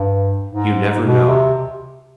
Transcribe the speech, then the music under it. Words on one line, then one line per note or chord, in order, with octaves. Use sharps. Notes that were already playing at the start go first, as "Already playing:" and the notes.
You never know.
Already playing: G2
G#2
B2
C3